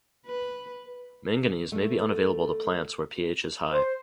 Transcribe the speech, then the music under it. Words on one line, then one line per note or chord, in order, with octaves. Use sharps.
Manganese may be unavailable to plants where pH is high.
B4
A3
C5